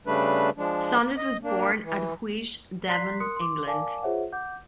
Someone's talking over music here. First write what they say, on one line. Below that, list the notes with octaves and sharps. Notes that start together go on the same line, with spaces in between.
Saunders was born at Huish, Devon, England.
C#3 G3 A3 D4 B4
F3 G#3 D4
D#5
A#3 D4
E3
D5 A#5 C6 F#6 B6 C7
A#4 C6 D#6 F#6 C#7
C6 D6
A#4 D5 F5 G#5 A5 D6
F4 G#4 C5 C#5 E5 F#5
F#5 D6 G6